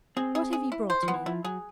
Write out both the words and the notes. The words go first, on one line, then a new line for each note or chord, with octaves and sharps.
What have you brought me?'
C4 G#4
G#4
G#4
E4
C5
F3
B3
E3
F3 E4
F#3 G#4